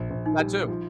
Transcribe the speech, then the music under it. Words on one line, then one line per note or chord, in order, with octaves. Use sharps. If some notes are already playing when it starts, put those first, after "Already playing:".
that too.
Already playing: A#1
A#1
D#4
G3
F3